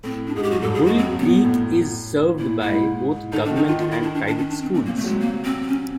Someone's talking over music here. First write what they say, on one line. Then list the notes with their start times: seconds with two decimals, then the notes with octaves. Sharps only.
Bull Creek is served by both government and private schools.
0.04 A2 C4
0.28 D4
0.36 G#2 G#4
0.43 G4
0.51 F#2 F#4
0.62 A4
0.66 G2
0.74 G#4
0.82 G#2 F#4
0.98 F#2 C4
1.12 A#2
1.21 A2 B3
1.45 A2
2.38 A#2 E4
2.62 G#2 E4
3.32 D3 D#4
3.45 D4
3.48 D#3
3.56 D#4
3.64 D#3 F4
3.79 D#3 F4
3.91 E4
4.03 D4
4.14 D4
4.27 D4
4.38 C#4
4.50 D4
4.62 C4
4.74 A#2 C4
4.86 A#3
4.89 C3
4.97 A3
5.04 F#3 G#3
5.20 A#3
5.44 C4
5.63 C4
5.67 C#4